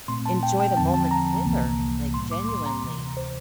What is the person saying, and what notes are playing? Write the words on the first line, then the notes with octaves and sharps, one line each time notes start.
enjoy the moments with her, like, genuinely.
A#2 A3 C4 C6
A5
G5
G5
E2 D3 F3 C4 A5
A5
A#5
C2 C3 E3 A#3
A2 G3 A#3 C6
D6
C6
A#5
D2 C3 E3
C5